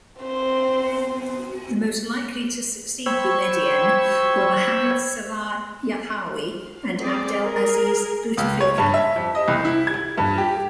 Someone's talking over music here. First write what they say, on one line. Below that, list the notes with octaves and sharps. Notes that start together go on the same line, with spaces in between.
The most likely to succeed Boumediene were Mohammad Salah Yahiaoui and Abdelaziz Bouteflika.
C4 C5
C5 G5 B5 C#6 E6 G#6
C4 G#4 D5
G#4 A#4
C#2
C#5
G2
E5
F2
D#5
C2
E4
G#6
G2
G4